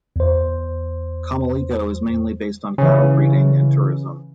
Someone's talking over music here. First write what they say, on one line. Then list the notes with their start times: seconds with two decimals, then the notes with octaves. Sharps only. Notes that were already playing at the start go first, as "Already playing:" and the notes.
Comelico is mainly based on cattle-breeding and tourism.
0.16 E2 C5
2.78 C#3 E3